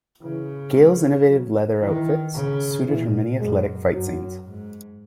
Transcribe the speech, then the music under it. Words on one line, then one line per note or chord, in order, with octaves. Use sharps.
Gale's innovative leather outfits suited her many athletic fight scenes.
C#3 E3
G#3
F#3
D#3 E3
C#3
A#2 E3
F#2 G#3
F#2 F#3
G#2